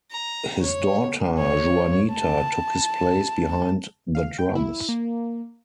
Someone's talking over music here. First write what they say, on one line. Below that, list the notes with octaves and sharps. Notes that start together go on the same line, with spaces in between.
His daughter Juanita took his place behind the drums.
A#5
C#5
C#5
A5
F5
G5
E4
A#3